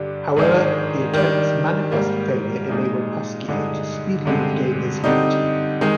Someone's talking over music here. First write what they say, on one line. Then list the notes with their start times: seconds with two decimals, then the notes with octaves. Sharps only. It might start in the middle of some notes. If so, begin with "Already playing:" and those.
However, the attempt's manifest failure enabled Pasquier to speedily regain his liberty.
Already playing: G2 D3 G3 D4
0.36 G#2 D#3 G#3 D4
1.13 D#3 G3 D4
1.92 G#2 G3 A#3
2.69 A#2 G#3 D#4
3.48 G2 D3 G#3 D#4
4.25 G2 D3 G#3 C4
5.04 D3 G3 C4 D#4
5.81 D#3 G#3 D#4